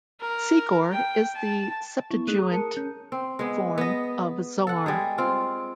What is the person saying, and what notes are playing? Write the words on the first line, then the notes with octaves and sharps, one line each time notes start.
Segor is the Septuagint form of "Zoar".
A#4
G5
A5
B3 E4 C#6
A3 D#4 G#4 F#6 D#7
A#5 D#6
A#4 A5 C#7
C#4 G6
C4
G#3 B3
B3 D#5
A4 F#5
G3 G#3 G#4
C4 F4